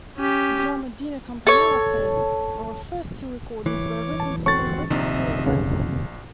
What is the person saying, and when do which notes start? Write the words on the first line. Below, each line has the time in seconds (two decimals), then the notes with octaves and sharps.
Drummer Dino Campanella says, Our first two recordings were written to be rhythmically aggressive.
0.17 C#4 G4
1.47 A4 C#5
3.66 E3 C#5 D6
4.20 A5
4.46 C4 F#4 A4 C#5 C#6 A6
4.90 A#1 C3 D#3 D#5 E5
5.46 F2 C#3